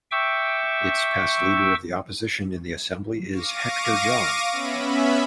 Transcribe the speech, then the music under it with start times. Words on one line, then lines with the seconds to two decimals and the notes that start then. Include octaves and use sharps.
Its past Leader of the Opposition in the Assembly is Hector John.
0.11 E5 G5 C#6 D6 E6
3.31 F5 C#6 D6 A#6 D#7
4.51 B3 C#4 E5 B5